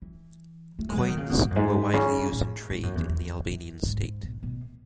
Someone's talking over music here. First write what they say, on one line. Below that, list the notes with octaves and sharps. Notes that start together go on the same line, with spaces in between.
Coins were widely used in trade in the Albanian state.
E3
A3
G#3
F#3
D#3
C#3
B2
G#2
F#2
G#2
C#3
A2
G#2
F#2
E2
E2
F#2
G#2
B2
B2